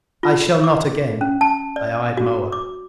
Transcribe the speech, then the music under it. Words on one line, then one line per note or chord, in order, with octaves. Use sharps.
"I shall not again." I eyed Moa.
F4
D6
C#4
A5
D5
F#4
D6